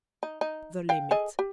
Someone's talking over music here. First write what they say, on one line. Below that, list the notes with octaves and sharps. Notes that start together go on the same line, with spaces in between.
The limit.
D#4
D#4
F5 G5
G#4 A4 D#5
G4